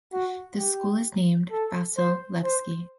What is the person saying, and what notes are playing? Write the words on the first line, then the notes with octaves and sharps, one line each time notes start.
The school is named "Vasil Levski".
F#4
G4
A4
C5
C5